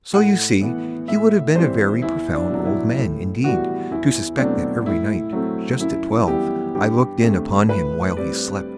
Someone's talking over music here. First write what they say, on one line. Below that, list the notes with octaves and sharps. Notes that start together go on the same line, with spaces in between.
So you see he would have been a very profound old man, indeed, to suspect that every night, just at twelve, I looked in upon him while he slept.
A2 F#5
E3 B3
A2 E5
E3 G3 C4 C5
E2 E4
D4
B2 F#3
E4
A2
E3 G3 B3 F#4
E2 E4
B2 F#3 A3 C4 D4
A2 E4
F#3 A3 C4
F#2 E4
E3 G3 B3 G4
G2 G4
D3 A3 C4
A2 B4
G3 C4 D5